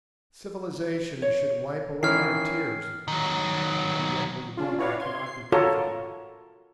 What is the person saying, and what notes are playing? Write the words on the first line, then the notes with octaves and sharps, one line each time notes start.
Civilization should wipe away our tears, and yet we weep and cannot be comforted.
C#5
D#3 E3 C#4 F6 C7
D#3 F#3
C#4 D4 F4
E4 F#4 B4 C#5 D5 F5
C6 G#6
C7
F4 F#4 A4 A#4 C#5